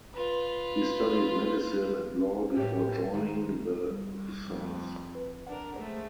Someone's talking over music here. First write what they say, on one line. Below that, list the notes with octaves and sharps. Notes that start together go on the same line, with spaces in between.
He studied medicine and law before joining the Hussars.
F4 B4
A2 G4 B4 C#5
D#3 G#3
G3
F2
B4
D4 A#4 F#5
G#3 A3 C5